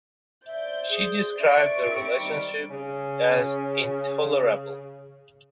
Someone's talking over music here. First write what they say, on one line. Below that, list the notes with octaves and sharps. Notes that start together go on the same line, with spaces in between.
She described their relationship as "intolerable".
C5 D5 E5 G6
G#4
D4 C5 D5 E5 C#6 D7
G3 C4 G4
D#3 G3
C#3 C#4